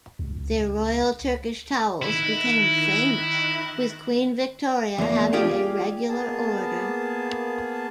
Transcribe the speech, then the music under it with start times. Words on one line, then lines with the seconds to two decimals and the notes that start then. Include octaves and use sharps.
Their Royal Turkish towels became famous, with Queen Victoria having a regular order.
0.19 C#2
2.02 D#3 E4 F#6 A#6
4.98 E2 A#3
5.33 F4 G4 G#4 D5
6.08 A#3 B3 G#4 A5